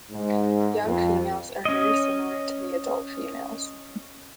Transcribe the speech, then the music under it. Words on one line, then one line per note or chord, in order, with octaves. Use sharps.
Young females are very similar to the adult females.
G#2
F2
C#4 D#5